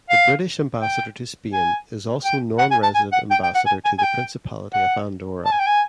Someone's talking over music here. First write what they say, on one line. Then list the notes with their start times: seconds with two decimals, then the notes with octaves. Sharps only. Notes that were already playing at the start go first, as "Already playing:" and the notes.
The British ambassador to Spain is also non-resident ambassador to the Principality of Andorra.
0.10 F5
0.82 G5
1.53 G#5
2.24 G5
2.59 F#5
2.71 G#5
2.83 A5
2.95 G#5
3.12 F#5
3.31 G5
3.43 G5
3.55 F#5
3.66 G#5
3.85 G#5
3.98 G#5
4.03 G5
4.74 F#5
5.45 A5
5.52 G#5
5.59 G5
5.66 G#5